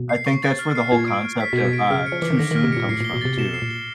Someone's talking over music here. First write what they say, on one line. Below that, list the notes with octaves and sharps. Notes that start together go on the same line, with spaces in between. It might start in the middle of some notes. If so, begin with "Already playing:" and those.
I think that's where the whole concept of, uh, "too soon" comes from, too
Already playing: B2
C7
C#6
A6
F6
C7
A#2 G#6
D7
F6
B6
B2
G#6
B2
D7
C#3 F6
C#7
F3
E3 D6
D#3
D3 A#6
D#3 F6
C3
A#2 C#7
A2 C7
A#2 G7
B2
C3 A6
B2 E7
C7
A#2
G7